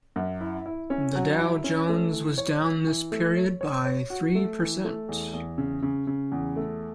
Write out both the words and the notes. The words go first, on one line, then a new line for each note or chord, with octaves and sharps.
The Dow Jones was down this period by three percent.
F#2
E4
E4
C#4
F#3
E4
C#4
A3
E3
C#5
E3
E3
A3
C#5
C#5
C#5
F#4
A3
E3
A3
E2
E2
C#3
C#3
C#3
E2
A3